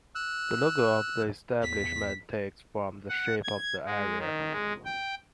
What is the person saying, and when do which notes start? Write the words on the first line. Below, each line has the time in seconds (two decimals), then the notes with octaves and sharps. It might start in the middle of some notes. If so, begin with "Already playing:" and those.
The logo of the establishment takes from the shape of the area.
0.15 E6 F#6
1.62 E2 B6
3.09 F#5
3.44 G#6
3.86 G#3
4.18 D#3
4.52 G#3
4.85 G5